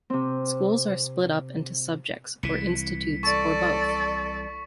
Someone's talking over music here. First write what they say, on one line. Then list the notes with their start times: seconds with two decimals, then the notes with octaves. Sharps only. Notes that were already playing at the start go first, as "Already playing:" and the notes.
Schools are split up into subjects or institutes or both.
0.10 C3 C4
2.43 C2 E3 B6 C#7
3.23 A4 D5 C#6